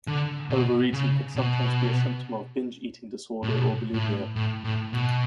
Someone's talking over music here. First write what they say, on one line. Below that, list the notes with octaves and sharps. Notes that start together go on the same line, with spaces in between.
Overeating can sometimes be a symptom of binge eating disorder or bulimia.
D3
B2
C#3
B2
A2
B2
A2
A2
A2
B2